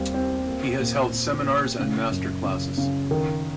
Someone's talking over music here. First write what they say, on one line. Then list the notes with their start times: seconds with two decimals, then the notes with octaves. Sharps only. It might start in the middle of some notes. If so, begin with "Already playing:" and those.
He has held seminars and master classes.
Already playing: D#2 G3 C4
0.14 C4
0.48 A#3
0.80 A#2
1.13 A#2
1.45 A#2
1.79 C#3
2.11 F#2
2.44 C#3
2.78 C#3
3.11 D#3